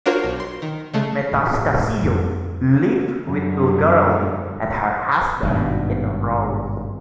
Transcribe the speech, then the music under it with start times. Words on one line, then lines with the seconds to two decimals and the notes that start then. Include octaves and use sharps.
Metastasio lived with Bulgarelli and her husband in Rome.
0.06 D4 F4 F#4 A#4 C5 C#5
0.24 B1
0.40 C6
0.62 D#3
0.94 C#3 G#3 A3
1.32 A2
2.03 F2 G3
3.26 F#2 D3 G3
5.43 G#1 G2 B2